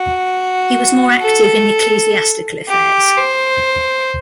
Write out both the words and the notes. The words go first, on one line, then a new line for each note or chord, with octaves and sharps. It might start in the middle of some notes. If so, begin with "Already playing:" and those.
He was more active in ecclesiastical affairs.
Already playing: F#4
A4
G4
C5